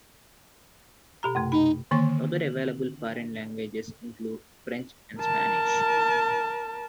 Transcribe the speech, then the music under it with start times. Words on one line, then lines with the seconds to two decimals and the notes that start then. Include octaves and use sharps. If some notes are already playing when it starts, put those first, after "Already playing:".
Other available foreign languages include French and Spanish.
1.23 B2 G4 A#5
1.35 F#2 C3 A3
1.52 D#4 B5
1.91 D3 D#3 A#3 C#6
5.19 A#4 A5